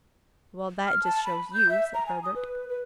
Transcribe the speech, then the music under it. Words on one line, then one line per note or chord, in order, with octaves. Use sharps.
"Well, that just shows you," said Herbert.
F6
A5
B5
G6
E5
A#5
G#5
D#6
B4
B4